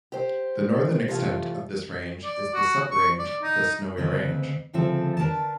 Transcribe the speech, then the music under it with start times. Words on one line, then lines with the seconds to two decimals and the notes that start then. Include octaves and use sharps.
The northern extent of this range is the sub-range the Snowy Range.
0.12 G4 C5
1.08 C3 E3 A3 F4
2.24 D5
2.54 F#4
2.91 C#6
3.19 D5
3.42 D#4
3.97 D2 C#3 C4 B4 D#5
4.73 D2 C#3 F3 C4 A4 E5
5.17 D4 A#4 B4 A5